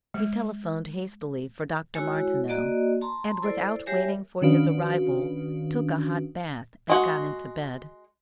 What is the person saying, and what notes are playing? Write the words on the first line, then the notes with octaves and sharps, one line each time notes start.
He telephoned hastily for Dr. Martineau and without waiting for his arrival took a hot bath and got into bed.
G#3
G#3 E4 F#4 C#5
A#3 F#4 D5 D#5
A5 A#5 C6
E4 A4 C5 D5
G3 G4 A#4 C#5 E5 G#5
D#3 C#4 D4 F#4 B4 F5
G#3 F#4